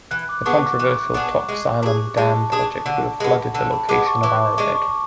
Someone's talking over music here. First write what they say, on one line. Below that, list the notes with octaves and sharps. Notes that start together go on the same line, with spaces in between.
The controversial Tocks Island Dam project would have flooded the location of Arrowhead.
E3 F#6
D6
B3 D4 G#4 C#6
D6
E3
B3 D4 G#4
G#3
D4
G#4
G#3 A5
D4 G#4
D3
G#3 B3
D3 A5
B5
G#3 B3 D6
C#6
E3 D6
D6
G#3 D4 C#6
C#6